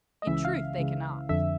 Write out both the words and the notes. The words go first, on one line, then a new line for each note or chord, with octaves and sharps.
In truth they cannot.
D#5
C#2 C#3 E3 E5
F5
C#2 C#3 E3
F2 D3 E5